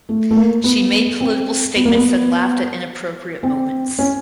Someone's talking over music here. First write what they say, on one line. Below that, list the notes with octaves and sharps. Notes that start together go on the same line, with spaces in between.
She made political statements and laughed at inappropriate moments.
A3
A3
A#3
B3
C4
B3
A#3
B3
C4
C#4